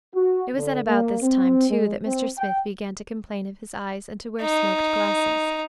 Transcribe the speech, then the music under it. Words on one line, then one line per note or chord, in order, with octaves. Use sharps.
It was at about this time, too, that Mr. Smith began to complain of his eyes and to wear smoked glasses.
F#4
D3
A#3
C4
G#3
C4
G5
D#4